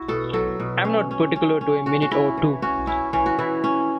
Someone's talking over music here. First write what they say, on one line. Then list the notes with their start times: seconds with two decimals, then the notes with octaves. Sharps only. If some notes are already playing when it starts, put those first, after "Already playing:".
I'm not particular to a minute or two.
Already playing: E4 F#4
0.08 B2 A4
0.33 F#3 A4
0.60 B2
0.85 C#4
1.11 C#4
1.36 C#4
1.61 C#4
1.86 C#4 F#4
2.02 F#4
2.11 C#4 E4
2.37 E3
2.62 C#4 F#4
2.87 C#4 E4
3.13 E3 C#4
3.26 F#4
3.39 E3 E4
3.64 C#4